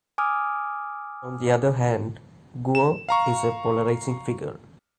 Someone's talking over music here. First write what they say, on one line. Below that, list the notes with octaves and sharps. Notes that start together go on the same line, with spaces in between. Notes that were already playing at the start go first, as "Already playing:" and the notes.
On the other hand, Guo is a polarizing figure.
G#5 D6 D#6 F6
E7
F5 A#5 C#6